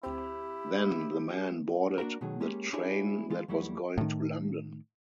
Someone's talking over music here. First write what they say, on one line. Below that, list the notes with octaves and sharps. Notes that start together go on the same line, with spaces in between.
Then, the man boarded the train that was going to London.
D2 C4 E4 G4
A#3 D4 E4 F#4 A#4
B2 D#3 F#3 A3 G#4
G#3 A#3 C#4 G4 G#4
D4 E4 F#4 G#4 C#5 D5
E3 G#3 F4
E2 F#3 G3 A3 E4
A2 D#3